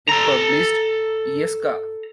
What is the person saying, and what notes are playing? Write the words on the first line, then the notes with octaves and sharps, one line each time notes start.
It published "Yesca".
A4 A#5